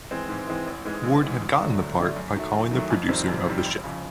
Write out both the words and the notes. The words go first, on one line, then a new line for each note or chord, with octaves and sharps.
Ward had gotten the part by calling the producer of the show.
E3 G#3 C4
G#2
E3 G#3 C4
A1
G#2 E3 G#3
A1
G#2 E3 G#3
D2
D3 F#3 A3 D4
D2
D3 F#3 A3 D4
F#2
D#3 F#3 A3
F#2
D#3 F#3 A3
F2
C3 D#3 G3 C4
F2
C3 D#3 G3 C4
F1
F2 C#3